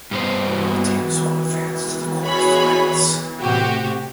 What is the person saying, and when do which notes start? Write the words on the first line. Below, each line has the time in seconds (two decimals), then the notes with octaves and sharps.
All teams will advance to the quarterfinals.
0.11 G2 B3 C5
2.23 F#4 G#4 C#5 B5
3.39 A2 C3 F#4 G4